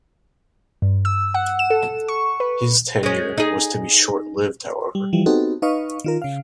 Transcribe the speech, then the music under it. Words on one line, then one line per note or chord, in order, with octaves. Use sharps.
His tenure was to be short-lived, however.
G2
E6
F#5
E7
A4
C#6
B4
G#3 C#4
D#4 G#4
G3
E3 F3 G3
B3 C4 D#4 F#4 G4 A4
D#4 B4 D#5 F5 C#6
D#3 F4 A#4
C#3 F5